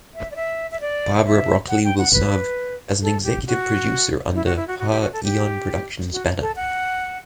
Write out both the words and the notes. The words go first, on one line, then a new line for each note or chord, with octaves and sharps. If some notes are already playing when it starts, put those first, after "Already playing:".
Barbara Broccoli will serve as an executive producer under her Eon Productions banner.
E5
D5
E5
E5
D5
E5
F#5
G5
F#5
B4
A4
G4
F#4
E4
F#4
E4
F#4
F#4
G4
F#4
A4
G4
F#4
A4
F#5